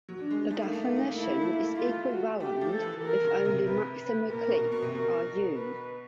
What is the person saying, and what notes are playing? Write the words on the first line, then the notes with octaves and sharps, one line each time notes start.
The definition is equivalent if only maximal cliques are used.
F#3
D4
G#3
A3 D#4
A#3
A3
A#3 D#4
A3
A#3
A3 E4
A#3
A3
A#3
A3
A#3 F4
A3
F#4
A3 G4
F3
A4
E3
A#4
C#3
C3
C3 B4
B4
A#2 A#4
B2
B2
C3
B2 A#4
B4